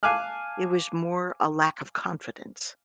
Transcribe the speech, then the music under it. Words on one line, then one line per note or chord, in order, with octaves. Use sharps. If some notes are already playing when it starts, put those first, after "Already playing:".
It was more a lack of confidence.
F5 G#5 A5 D6 F6 F#6